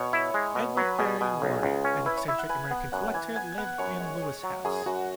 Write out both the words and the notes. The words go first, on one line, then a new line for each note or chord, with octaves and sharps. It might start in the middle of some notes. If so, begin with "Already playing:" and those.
Edward Perry Warren, an eccentric American collector, lived in Lewes House.
Already playing: B2 C#5 C#6
E4
G#3
B2
F#3 B4 B5
B2 G#4 G#5
B2
B1
C#2
C#4
E4 B4 B5
C#5 C#6
E4 E5 E6
F#5 F#6
B4 G#5 G#6
B3 F#5 F#6
F#2 F#5 F#6
E3 G#5 G#6
B3 G#5 G#6
G#6
B3 F#5 F#6
F#2 C#5 C#6
G#3
G#4
F#3
F#2 G#4 G#5
F#2 F#4 F#5